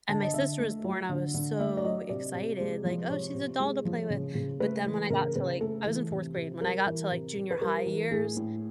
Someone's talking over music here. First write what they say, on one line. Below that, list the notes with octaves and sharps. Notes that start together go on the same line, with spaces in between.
And my sister was born, I was so excited. Like, "Oh, she's a doll to play with." But then when I got to like I was in fourth grade. When I got to like junior-high years,
D3 A5
D#5
D3 E5
A3
F#3
D3
D3
A3 E5
D5
F#3 D#5
C3 D5
C3
G#3
F3
C3 C#5
C3
G#3
F3
C#3
C#3
A3 B4
E3
C#3 A#4
C#3 B4
A3 A4
E3
C3
C3
G3 A#4
E3
C3
C3
B4
G3 A#4
E3
A2 G#4
A2